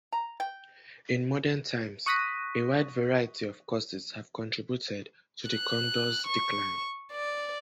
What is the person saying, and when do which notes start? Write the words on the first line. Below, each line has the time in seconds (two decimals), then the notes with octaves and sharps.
In modern times, a wide variety of causes have contributed to the condor's decline.
0.12 A#5
0.40 G5
2.06 C#6 D#6 F#6 A#6 B6 D#7
5.49 F#6
6.27 C#6
7.12 D5